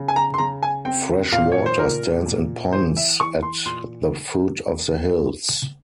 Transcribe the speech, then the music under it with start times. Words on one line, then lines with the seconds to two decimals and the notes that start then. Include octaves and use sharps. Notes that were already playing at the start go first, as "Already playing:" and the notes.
Fresh water stands in ponds at the foot of the hills.
Already playing: C#3
0.08 G#5
0.16 A#5
0.34 C6
0.38 C#3 A#5
0.63 G#5
0.85 C4 G5
1.32 A#2 F5
1.52 C#5
1.66 C5
1.79 A#2 A#4
2.26 A#2
2.72 E3 C5
2.97 E5
3.19 E3 C#6
3.43 C6
3.66 A#2 C6